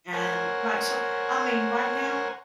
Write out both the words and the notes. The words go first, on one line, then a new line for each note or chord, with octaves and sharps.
And right, so, I mean, right now,
A#4 C5 C#5 F#5 G#5